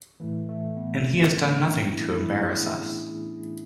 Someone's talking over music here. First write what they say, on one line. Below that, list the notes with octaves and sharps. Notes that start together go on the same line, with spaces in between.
And he has done nothing to embarrass us.
A2 E3 A3
A3
B3
C#4
D4
E4
E4
G#4